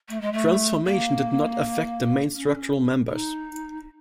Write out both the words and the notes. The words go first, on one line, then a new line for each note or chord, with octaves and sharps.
Transformation did not affect the main structural members.
A3
G#3
A3
A#3
C#4
D#4